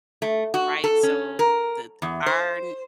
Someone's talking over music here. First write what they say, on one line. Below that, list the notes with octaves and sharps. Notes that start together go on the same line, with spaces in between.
right? So the our n
A3
F#4
A4
C#4
A#4
E2
C5